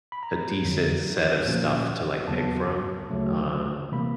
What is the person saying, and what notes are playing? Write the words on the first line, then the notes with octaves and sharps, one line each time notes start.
a decent set of stuff to, like, pick from. Um,
B5
A#5
F2 D3 F#3
A#2 F3 A#3 C#4
D#2 C#3 F#3 B3 A5
D2 C#3 F#3 A3
C3 E3 G3 A#3 B5